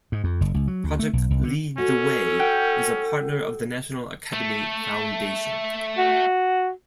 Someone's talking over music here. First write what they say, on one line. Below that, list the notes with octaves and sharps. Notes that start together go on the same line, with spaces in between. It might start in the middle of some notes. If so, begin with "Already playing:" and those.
Project Lead the Way is a partner of the National Academy Foundation.
G#2
F2
F#1
C#2
F#3
D2
A3
B1
C2
D3
C#4 F#4 A4
F#5 G5
A3
F#4